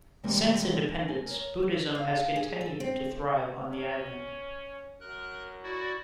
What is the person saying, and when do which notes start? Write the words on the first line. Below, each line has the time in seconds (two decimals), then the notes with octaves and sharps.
Since independence, Buddhism has continued to thrive on the island.
0.24 C3 E3 G3 G#3 A#3 C4
1.08 G#5
1.27 A#4 C#5
1.95 F5
2.36 G#4
2.61 A4
2.80 C4
3.69 C#4
5.01 F#2 A#4 F#6
5.63 E4 F#4 D5